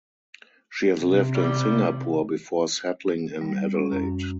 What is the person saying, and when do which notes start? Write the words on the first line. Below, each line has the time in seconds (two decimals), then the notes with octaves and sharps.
She has lived in Singapore before settling in Adelaide.
1.04 C3
1.35 G3
3.41 G3
3.74 C#4
3.92 F#2